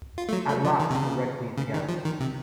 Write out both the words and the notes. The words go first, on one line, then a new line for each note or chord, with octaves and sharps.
At last the Red Queen began.
F4
A3
F#3
A3
F3
D#3
C3
C#3
C#3
D#3
F3
D#3
C3